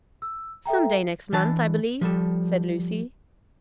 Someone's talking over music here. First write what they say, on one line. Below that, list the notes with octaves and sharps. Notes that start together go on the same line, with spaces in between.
"Some day next month, I believe," said Lucy.
E6
A4 E5 G5 A#5
E3 D4 A5
F3 G3 A4